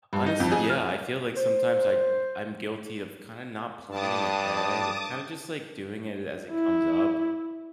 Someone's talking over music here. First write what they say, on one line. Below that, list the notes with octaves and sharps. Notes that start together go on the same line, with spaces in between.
Honestly, yeah, I feel like sometimes I I'm guilty of kinda not planning ahead, of kinda just, like, doing it as it comes up.
G2
D#4
F2
G#4
F6
C5
G2 A5 D6 D#6
E4